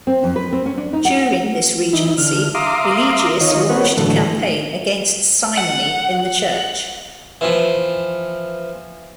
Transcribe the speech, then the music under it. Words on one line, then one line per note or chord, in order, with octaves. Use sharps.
During this regency, Eligius launched a campaign against simony in the church.
C4
F2
B4
C4
C#4
D4
D#4
F#5
E3 D#4 E4
D3 F6
E5 F5 A#5 C6 D6 D#6
D#3 F4 C#5 D#5
A#3 C4 B4 C#5 F#5
A2 D3 E3 F#3 A3
F#5
E3 F3